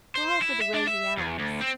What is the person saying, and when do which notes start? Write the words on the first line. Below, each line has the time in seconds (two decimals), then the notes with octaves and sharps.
We're all for the rosy hours.'
0.15 C5
0.41 E4
0.62 E5
0.74 D4
0.88 E5
1.18 E2
1.39 D2
1.61 C4